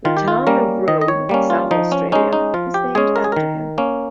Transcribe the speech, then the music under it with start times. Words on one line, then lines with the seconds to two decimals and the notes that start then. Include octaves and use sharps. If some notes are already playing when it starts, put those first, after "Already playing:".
The town of Robe, South Australia is named after him.
0.05 D#3 F4
0.17 G4
0.28 F4
0.47 G3 A#3 C#4 A#4
0.88 D#3 D#5
1.01 D#5
1.08 C#5
1.29 G3 A#3 C#4
1.50 F4
1.71 F3 D#4
1.92 C#4
2.12 G#3 C#4 D#4
2.33 D#4
2.54 F3 F4
2.74 G4
2.95 G#3 C#4 G#4
3.16 A#4
3.24 G#4
3.32 D#3 A#4
3.78 A#3 C#4